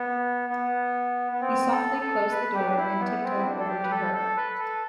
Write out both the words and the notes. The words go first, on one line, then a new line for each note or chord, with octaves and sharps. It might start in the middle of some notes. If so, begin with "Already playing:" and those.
He softly closed the door and tiptoed over to her.
Already playing: B3
B3
B3
C4
A4
A4
B4
G4
D4
E4
B3
C4
E4
D4
A4
G4
B4
A4
A4
B4
A4